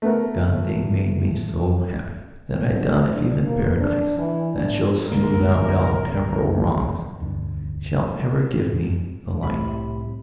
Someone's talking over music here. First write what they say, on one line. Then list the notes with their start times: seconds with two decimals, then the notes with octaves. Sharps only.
Oh God, they made me so happy that I doubt if even paradise, that shall smooth out all temporal wrongs, shall ever give me the like.
0.02 A3 B3 A#4
2.75 D3
3.12 D4
3.46 A#3
3.81 D4
4.18 E3
4.54 D4
5.12 C2 D3 A#3 A#4
7.20 E1 D2 G2 D3
9.43 C2 A2 C3 B5